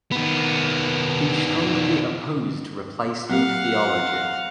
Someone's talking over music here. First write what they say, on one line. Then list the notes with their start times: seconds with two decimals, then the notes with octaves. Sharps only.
He strongly opposed replacement theology.
0.12 D#3 B3
3.30 F#3 C4 G4 F5 F#5